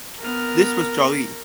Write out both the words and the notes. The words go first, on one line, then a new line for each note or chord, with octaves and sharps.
This was Zhaoyi.
B3 A#4 F6